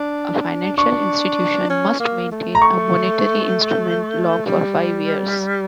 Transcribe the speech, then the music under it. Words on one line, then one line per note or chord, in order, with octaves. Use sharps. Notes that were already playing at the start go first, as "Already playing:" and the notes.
A financial institution must maintain a Monetary Instrument Log for five years.
Already playing: D4
D4 C#6
C#4
A#3
A3
A#5
C#6
G3